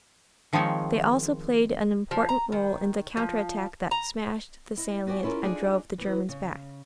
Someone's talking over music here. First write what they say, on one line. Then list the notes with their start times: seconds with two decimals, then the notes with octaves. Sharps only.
They also played an important role in the counter attack that "smashed" the salient and drove the Germans back.
0.53 D#3 F3 G#3 C4 D#4 C#5
2.11 F3
2.29 A#5
2.52 D#3
3.17 F3
3.91 A#5
4.77 E4 D#5
5.06 B3 F#4 G4 D5 G#5
5.23 C#4 E4 F4 G#4 A#4
5.44 D4 D#4 F4 G#4 A4 D5
5.98 E3 B3
6.29 C#3